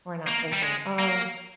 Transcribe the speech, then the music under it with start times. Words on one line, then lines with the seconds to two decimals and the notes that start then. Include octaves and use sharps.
we're not thinking, "Oh,
0.27 A#3
0.53 G3
0.63 G#3
0.99 A#3